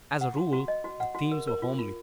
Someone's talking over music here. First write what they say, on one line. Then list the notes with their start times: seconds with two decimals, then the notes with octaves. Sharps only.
As a rule the themes were homely.
0.21 F#5
0.36 F#4
0.53 F#4
0.68 D#5
0.84 F#4
1.00 F#5
1.15 F#4
1.31 A#4
1.47 A#4
1.62 F4
1.78 F4